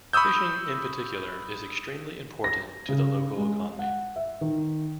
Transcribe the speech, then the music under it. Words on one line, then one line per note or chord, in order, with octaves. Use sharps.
Fishing in particular is extremely important to the local economy.
B5 C#6 D#6 E6 G6
A#6
C#3
G#3
F#5
E5
D#3